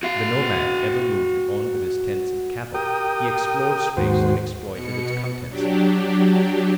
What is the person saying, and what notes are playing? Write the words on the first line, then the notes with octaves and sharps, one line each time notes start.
The nomad ever moved on with his tents and cattle; he explored space and exploited its contents.
F#4 F5
G4 A#4 G5 D#6
D#2 G#2 F#4 C5
B2 C#7
F#3 D4 G4